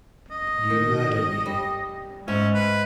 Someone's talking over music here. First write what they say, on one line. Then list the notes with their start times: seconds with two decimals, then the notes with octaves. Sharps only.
You murdered me.
0.31 D#5
0.70 D#3
1.46 G3
2.28 G#2 C#4 E5
2.54 B4